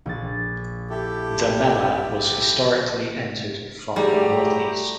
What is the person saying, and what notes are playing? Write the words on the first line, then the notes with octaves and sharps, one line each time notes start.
The Mellah was historically entered from the northeast.
A#1 A6
E4 G4 A4
G#2 G3 A3 E4 F#4 G4 A#5